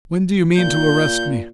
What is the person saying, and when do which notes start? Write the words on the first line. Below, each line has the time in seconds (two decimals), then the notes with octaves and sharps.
"When do you mean to arrest me?"
0.58 A#2 G6